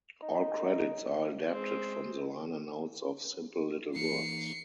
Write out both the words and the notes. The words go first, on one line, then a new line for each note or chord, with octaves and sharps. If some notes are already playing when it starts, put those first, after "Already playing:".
All credits are adapted from the liner notes of "Simple Little Words".
D#4
G#3 C4
E3 A#3 D#4 C7 C#7